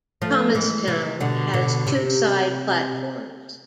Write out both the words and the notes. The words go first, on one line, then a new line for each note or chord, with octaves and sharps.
Thomastown has two side platforms.
F3 A3
E3 G#3
C3 E3
B2 D3
B2 D3
C3